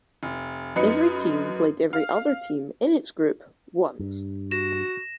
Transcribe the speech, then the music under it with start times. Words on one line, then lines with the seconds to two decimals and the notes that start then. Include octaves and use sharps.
Each team played every other team in its group once.
0.23 F1
0.76 F#2 D#4 B4 C#7
1.93 F5
3.99 G2
4.51 F#4 A#6 E7